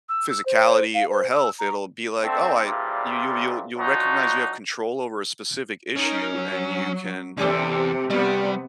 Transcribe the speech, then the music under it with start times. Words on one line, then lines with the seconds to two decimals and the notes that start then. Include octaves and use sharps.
physicality or health. It'll be like, "Oh, I" you you'll you'll you'll recognize you have control over a specific issue, and you can
0.09 E6
0.30 E6
0.46 C5
0.94 F5
1.10 C5
1.31 E6
1.59 A#5
2.23 D3 A3 C4
2.65 A#2 C#3 E3 F3 G3
3.77 F3 F#3 D4 D#4 F#4
5.96 C#4 D#4 A#4
6.33 F#3
7.37 E2 C3 C#4 G4 A4
8.10 G2 C3 G3 B3 D5